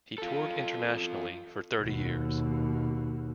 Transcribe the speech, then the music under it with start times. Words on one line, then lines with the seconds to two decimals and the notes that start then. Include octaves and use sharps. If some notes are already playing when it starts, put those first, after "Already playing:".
He toured internationally for thirty years.
0.18 F4 A4
1.81 D#2 B2